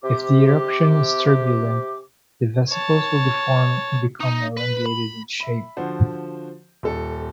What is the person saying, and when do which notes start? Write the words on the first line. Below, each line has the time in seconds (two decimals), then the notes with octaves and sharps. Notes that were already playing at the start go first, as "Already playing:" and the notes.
If the eruption is turbulent the vesicles will deform and become elongated in shape.
0.03 C3 G4 D6
2.69 C#5 A5
4.21 D#4
4.58 B4
4.86 B5
5.40 E5 B5
5.77 D3 F3 F#4 C5
6.83 D#1 A4